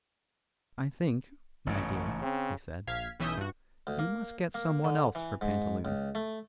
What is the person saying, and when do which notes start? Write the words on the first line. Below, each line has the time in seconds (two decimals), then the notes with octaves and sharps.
"I think, my dear," he said, "you must get someone else for pantaloon."
1.67 A1 G#2 C#3
2.22 C#3 C4
2.87 A#1 F5 G#6 B6
3.20 B1 E3 C#4 E5 D#6 G6
3.37 G2 F#4
3.87 D2
3.99 A#3
4.55 A#3
4.84 D3
5.15 E3
5.41 G#2
5.85 C#2
6.15 A3